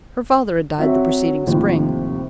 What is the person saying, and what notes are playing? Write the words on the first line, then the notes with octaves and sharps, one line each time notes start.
Her father had died the preceding spring.
F#3 C4 F#4 E5
D#2 A2 C3 F3